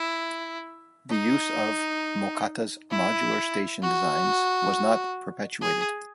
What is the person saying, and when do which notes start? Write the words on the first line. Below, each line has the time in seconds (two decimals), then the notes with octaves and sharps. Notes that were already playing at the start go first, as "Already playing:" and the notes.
The use of Mocatta's modular station designs was not perpetuated.
Already playing: E4
1.10 D#4
2.90 E4
3.82 F#4
5.62 G#4